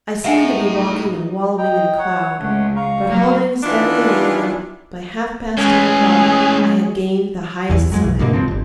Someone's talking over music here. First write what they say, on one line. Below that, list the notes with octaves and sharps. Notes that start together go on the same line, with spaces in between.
I seemed to be walking and wallowing in a cloud; but, holding steadily onward, by half-past ten o'clock I had gained the highest summit.
A2 D#4 G#4 E5 F#5 G#5
D#5 G5 A#5
C#5 F#5
C#2 A3 C#5 F#5
F5 A#5 C#6
F#3 A#3
D#3 E3 B3 D4 E4 F4
A2 E3 G#3 C#4 G#4
E2 E3
F2 F#3 G#3
B1
D2 G2 B2 A#3
D1 C#2 F3 C4
D1 G1